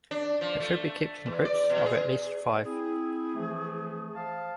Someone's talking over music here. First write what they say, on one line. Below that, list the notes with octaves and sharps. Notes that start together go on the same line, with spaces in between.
They should be kept in groups of at least five.
D4
F3
A3
E2
D5
B2
G#4
C4 E4 G#4
E3 F3 A3
C5 F5 A5